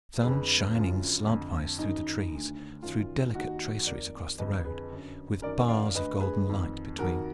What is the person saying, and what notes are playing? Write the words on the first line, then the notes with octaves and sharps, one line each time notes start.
The sun shining slantwise through the trees threw delicate traceries across the road, with bars of golden light between.
F2 D3 G#4 B4
F#2 D3 F4
F2 D3
F#2 D#3 D#4
D2 D3
F#2 D#3 F4
D#2 D#3 D#4 F#4
F2 D#3 A#4 D5
F2 D3 B4 D#5
G#4 B4
F#2 D3
F#2 D#3 A#4 D5
D5 F5
D2 D3 B4 D#5
G#4 B4
F2 D#3
F2 D#3 F#4 A#4